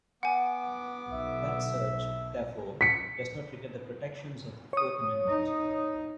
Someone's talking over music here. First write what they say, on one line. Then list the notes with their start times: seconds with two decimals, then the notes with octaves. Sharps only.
That search, therefore, does not trigger the protections of the Fourth Amendment.
0.23 B3 F#5 G#5 D6
1.12 B1 E5
2.81 B6 C#7
4.73 C#5 D#6
5.28 D#4